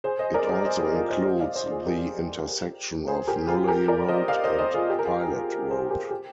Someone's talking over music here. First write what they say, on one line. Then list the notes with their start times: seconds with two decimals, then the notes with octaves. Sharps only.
It also includes the intersection of Nolley Road and Pilot Road.
0.04 G#4 C5
0.19 C5 D#5
0.34 A#4 D5
0.49 G#4 C5
0.64 C5 D#5
0.79 G4
0.95 F4 G#4
1.10 C5 D#5
1.25 C5 D#5
1.40 D5 F5
1.56 C5 D#5
1.71 F4 G#4
1.86 G4 A#4
3.07 G#4 C5
3.27 G4 A#4
3.48 F4 G#4
3.68 G4 A#4
3.88 A#4 D5
4.08 C5 D#5
4.28 D5 F5
4.44 C5 D#5
4.59 C5 D#5
4.74 F4 G#4
4.90 G4
4.99 A#4
5.05 F4 G#4
5.35 F4
5.71 G#4 C5
5.91 G4 A#4
6.11 G4